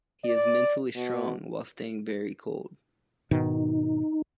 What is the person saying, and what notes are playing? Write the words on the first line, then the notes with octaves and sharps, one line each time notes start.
He is mentally strong while staying very cold.
D5
B2
G#2 B2 D#3 D#4